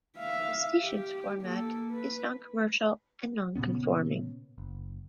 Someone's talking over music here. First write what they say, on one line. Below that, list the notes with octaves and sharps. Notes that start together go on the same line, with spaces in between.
The station's format is noncommercial and nonconforming.
E5 F5
G4
A#3 A4
B4
A#2 C#3 B3 C#4
F#1